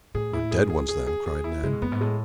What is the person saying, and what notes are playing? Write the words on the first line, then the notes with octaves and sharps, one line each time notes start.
"We're dead ones, then!" cried Ned.
A2 G#4
E4
G#4
G#4
G#4
G#4
G#4
E4
C#3 G#3
B2
F#2 B3
G#2
A2 G#3